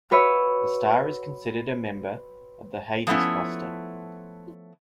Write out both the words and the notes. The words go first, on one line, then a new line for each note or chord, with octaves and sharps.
The star is considered a member of the Hyades cluster.
F#4 B4 C#5 E5
F3 A3 B3 C#4 E4